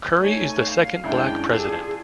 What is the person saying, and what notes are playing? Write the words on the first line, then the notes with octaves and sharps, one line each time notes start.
Curry is the second Black president.
A3 D#4 C#5 G#5
F5
F#2 G#3 C#4 D4 E4 G5
F4 G#4 A4 D5